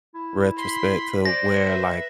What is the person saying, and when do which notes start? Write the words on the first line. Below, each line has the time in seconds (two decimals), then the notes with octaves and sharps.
retrospect to where, like,
0.15 E4
0.58 B5 C6 B6
1.25 C5 D5 A#6
1.60 B4 E5